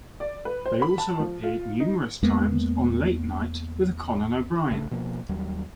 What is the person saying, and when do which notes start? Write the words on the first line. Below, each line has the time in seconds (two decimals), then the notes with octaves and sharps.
They also appeared numerous times on "Late Night with Conan O'Brien".
0.20 D5
0.45 B4
0.66 C5
0.82 B5
0.98 A5
1.20 F3
1.44 F4
1.80 D#4
2.22 E2 G#3 A#3 B3
4.71 A1 C#3 A3
4.91 B2 F3 A#3
5.29 D#2 F#3 G3